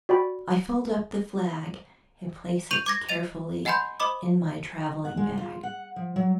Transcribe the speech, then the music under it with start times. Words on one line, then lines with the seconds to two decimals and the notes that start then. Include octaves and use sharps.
I fold up the flag and place it carefully in my traveling-bag.
0.09 F#4 D5 G5 B5
2.71 C#6 G6 D#7 F7
2.86 D6 G#6 A#6
3.09 D#5 A6 D#7 F7
3.65 D#5 F#5 G#5 B5 C6 G6
4.00 C5 D#5 B5 D6 D#6
5.05 F#5
5.17 G#3
5.37 F4
5.63 F#5
5.96 F3
6.16 F#3